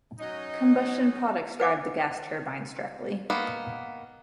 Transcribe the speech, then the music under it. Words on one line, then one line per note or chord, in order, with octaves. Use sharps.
Combustion products drive the gas turbines directly.
F#3 C#4 D#4 D#5
B4 F#5 D6
D#3 A#3 B3